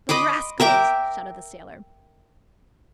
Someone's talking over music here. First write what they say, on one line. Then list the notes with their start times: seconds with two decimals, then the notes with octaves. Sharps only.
"The rascals!" shouted the sailor.
0.09 D#5 B5 C6 D6
0.60 A#4 E5 G5 D6